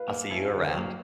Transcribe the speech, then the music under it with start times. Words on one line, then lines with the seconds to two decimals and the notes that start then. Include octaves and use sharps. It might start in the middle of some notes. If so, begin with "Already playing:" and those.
I'll see you around.
Already playing: B4 F5
0.08 A#3
0.30 C#4 E4 A4
0.52 D3
0.74 F#3 A#3